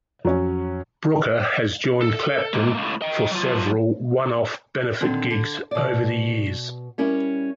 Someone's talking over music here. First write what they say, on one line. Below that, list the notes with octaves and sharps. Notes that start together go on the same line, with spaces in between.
Brooker has joined Clapton for several one-off benefit gigs over the years.
F2 F#3 C#4
A4
G#3 A#3
C#2 A2
D#5 G5
F#3 F4
A#2 D3 D#3 C4
D3
B2 D5
G3 C#4 E4 A#4